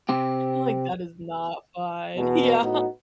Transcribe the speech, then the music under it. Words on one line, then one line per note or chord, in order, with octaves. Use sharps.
Like, "That is not fine." Yeah.
C3 C4 G4
E2 B2
A2 B3 D#4 F#4